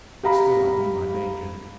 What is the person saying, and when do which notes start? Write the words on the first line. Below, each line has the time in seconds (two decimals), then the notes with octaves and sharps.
But still I knew my danger.
0.23 G4 F5 A#5 B5